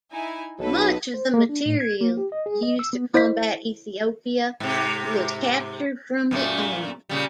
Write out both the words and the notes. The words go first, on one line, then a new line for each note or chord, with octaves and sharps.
Much of the material used to combat Ethiopia was captured from the army.
D#4 E4 G#5
B1 A4 B4
C5
A#3
D4
A2
G#6
A#3
G4
D#5
G#4
D#5
E6
B3
E4 C5 D#5 B6
G#2 C3
F#2 A#2 A3
A#2 C#3 G3